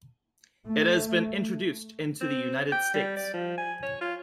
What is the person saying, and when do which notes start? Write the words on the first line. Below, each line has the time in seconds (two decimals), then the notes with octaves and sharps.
It has been introduced into the United States.
0.66 A3
2.21 C4
2.72 G5
2.94 G3
3.17 D5
3.34 F3
3.58 G#5
3.83 C#5
4.01 F4